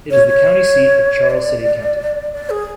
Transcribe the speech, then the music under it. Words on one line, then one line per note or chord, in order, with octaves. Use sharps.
It is the county seat of Charles City County.
C#5
C#5
D5
D5
G#4